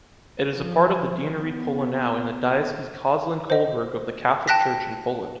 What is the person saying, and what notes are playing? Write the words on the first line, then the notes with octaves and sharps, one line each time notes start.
It is a part of the Deanery Polanow in the diocese Köslin-Kolberg of the Catholic Church in Poland.
F3
B3
C5 D#5
G5 A5 F#6 A#6 B6